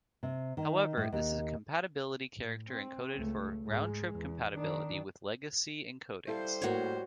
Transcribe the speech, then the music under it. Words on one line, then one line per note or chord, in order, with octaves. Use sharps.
However, this is a compatibility character encoded for roundtrip compatibility with legacy encodings.
C3
D#3
A2
D#2
A2
C4
C#2 A3
G#2 G#3
E2
D#3 D4
G3 E4 A4 C5 F5
A2 A#3 F#4 C#5